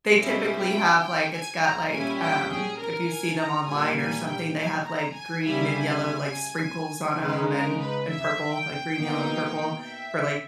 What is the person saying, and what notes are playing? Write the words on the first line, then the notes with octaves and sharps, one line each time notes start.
They typically have like, it's got, like, um, if you see them online or something, they have, like, green and yellow, like, sprinkles on 'em and and purple, like green, yellow, and purple for like
B2 G3 C#4 E4 D#5
G5
G5
G#5
A#5
A#2 G3 C#4 E4 G#5
G5
G#4
A#4
G#5
A#5
A#2 G3 A#3 G#5
G#5
G5
G#5
A#5
G#5
C#3 G3 A#3 E4 G#5
C#3 G#3 D#4 B4
A#4
B4
E5
G5
B2 A#3 D#4
E5